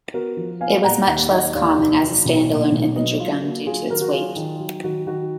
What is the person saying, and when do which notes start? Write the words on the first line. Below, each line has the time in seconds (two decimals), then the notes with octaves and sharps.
It was much less common as a stand-alone infantry gun due to its weight.
0.14 B3 F#4 A#4
0.37 F3
0.61 B3 F5 G#5
0.84 A#2 F#5 A#5
1.07 D#2 F#5 A#5
1.31 D#2 D#5 F#5
1.55 D#2 D5 F5
1.78 F1
2.02 F#3
2.25 B1
2.49 A#2
2.72 B1
2.95 F#3 B4 D#5
3.19 F#3 F4
3.42 A#3 F#4
3.66 F#3 F4 G#4
3.89 D#3 F#4 A#4
4.01 F#4
4.13 F#3 F4 G#4
4.36 D#3
4.60 F#3
4.84 D#3 F#4
5.07 D#3 F#4